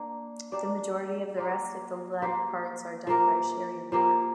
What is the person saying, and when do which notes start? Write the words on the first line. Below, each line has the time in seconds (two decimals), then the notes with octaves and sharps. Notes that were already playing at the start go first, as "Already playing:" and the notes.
The majority of the rest of the lead parts are done by Cherie Moor.
Already playing: A#3 D4
0.52 A#3 D4 G4 D5
1.37 A#3 G4 C5
2.22 A#3 G4 C5
3.07 F3 A#3 G4 A#4
3.92 F3 A#3 G4 A#4